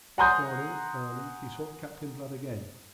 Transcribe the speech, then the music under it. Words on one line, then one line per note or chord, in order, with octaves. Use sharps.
Next morning early he sought Captain Blood again.
F#5 G#5 A#5 C6 D#6 G6